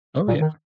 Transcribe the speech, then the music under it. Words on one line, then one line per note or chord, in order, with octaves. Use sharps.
Oh, yeah.
A#2
D#3